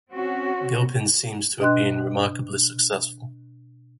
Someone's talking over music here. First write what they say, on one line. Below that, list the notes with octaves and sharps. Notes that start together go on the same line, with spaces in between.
Gilpin seems to have been remarkably successful.
C4 C#4 F#4
B2 D4 D#5 G5 C6 F#6